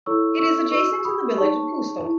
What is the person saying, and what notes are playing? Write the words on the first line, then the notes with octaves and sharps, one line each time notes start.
It is adjacent to the village of Kewstoke.
E4 A4 C#5 C#6 E6
C#6 E6
F#4 B4 C#6 E6
B5 D#6
D#4 G#4 C#5 A5 C#6
E4